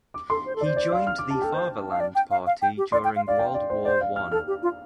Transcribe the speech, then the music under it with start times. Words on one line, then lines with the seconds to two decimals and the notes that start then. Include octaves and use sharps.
He joined the Fatherland Party during World War One.
0.14 D6
0.30 A4 C6
0.46 C5
0.55 A4
0.61 D5
0.65 C5
0.76 D5
0.92 F5
1.07 F6
1.18 D6
1.30 A5
1.34 G4
1.42 A4 G5
1.54 C5
1.91 F5
2.00 D5
2.15 G5
2.31 F5
2.46 F5
2.62 G5
2.77 G4
2.92 D5 C6
3.04 G5
3.16 F5
3.27 D5 F5
3.39 G5
3.54 D5
3.70 C5
3.85 C5 D5
4.01 F5
4.16 F6
4.32 A4 F6
4.47 G4
4.63 F4